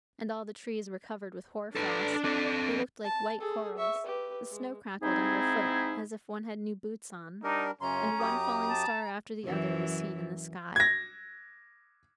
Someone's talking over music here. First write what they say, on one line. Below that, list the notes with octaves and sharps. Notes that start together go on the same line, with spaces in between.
And all the trees were covered with hoar-frost; they looked like white corals; the snow crackled under foot, as if one had new boots on; and one falling star after the other was seen in the sky.
D4 A4 B4
C4 A4
A5
G#4 A4
E5 C#6
G4 B4
G#3
G#2 C4 D#4 E4 G#4
G3 D4 D#4 A#4
F#2 C#3 C#4 A#5 C6
F#2 G4 D#6
A5
F#2 E3
G#6 A#6